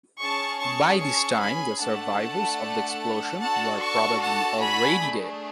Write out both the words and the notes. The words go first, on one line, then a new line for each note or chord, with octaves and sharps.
By this time the survivors of the explosion were probably already dead.
C#4 G#4 A5 C#6
A5 C#6
A5 C#6
G#5 B5
A3 D4 A4 F#5 A5
D4 F#4 A4 F#5 A5
A5 C#6
F#5 A5
G#5 B5
A3 D4 G#4